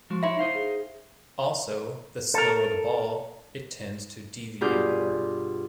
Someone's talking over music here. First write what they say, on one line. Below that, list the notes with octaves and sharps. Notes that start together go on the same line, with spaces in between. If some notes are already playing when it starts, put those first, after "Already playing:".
Also, the slower the ball, it tends to deviate more.
F3 G#3 F#4
D#4 E4 C#5 E5 C6
D#4 E4 C5 F5
G#4
A4 A#4
G2 B2 F4 G#4 D6 G6